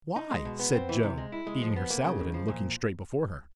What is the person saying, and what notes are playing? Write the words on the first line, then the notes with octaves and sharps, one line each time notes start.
"Why?" said Joe, eating her salad and looking straight before her.
D#4
G#3
B2
B3
C4
E3
C3
G#3
E4
G#3
F3
B3
A#3
C#3
D#2
F3
A#2